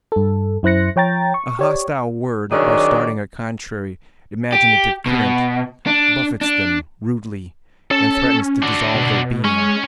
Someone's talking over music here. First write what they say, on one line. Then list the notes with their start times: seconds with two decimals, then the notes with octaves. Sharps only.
A hostile word, by starting a contrary imaginative current, buffets them rudely and threatens to dissolve their being.
0.12 G2 A4
0.63 F#2 E4 C5 F#6 A#6 C#7
0.96 F3 C#5 G5 A#5 A6
1.34 C#6
1.59 G4 C#5 D5
2.52 D#3 F#3 C#4 D4 G#4 D5
4.53 G4
5.06 B2
5.87 D4
6.41 D4
7.91 C#4 A4 A5
8.63 D4 F#4
8.95 B2
9.45 G#3 C#4